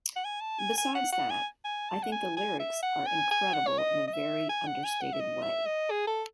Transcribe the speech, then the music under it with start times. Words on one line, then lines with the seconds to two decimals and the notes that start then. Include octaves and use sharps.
Besides that, I think the lyrics are incredible in a very understated way.
0.16 F#5
0.25 G#5
0.41 A5
0.59 G#5
0.78 G#5
0.95 F#5
1.13 F#5
1.30 G#5
1.65 G#5
1.89 A5
2.03 F#5
2.12 G#5
2.37 G#5
2.60 E5
2.83 F#5
3.06 G#5
3.31 G#5
3.54 F#5
3.67 C#5
3.78 D#5
4.08 D#5
4.14 E5
4.49 G#5
4.67 F#5
4.84 G#5
5.01 F#5
5.13 E5
5.20 D#5
5.43 E5
5.66 D#5
5.91 G#4
6.07 A4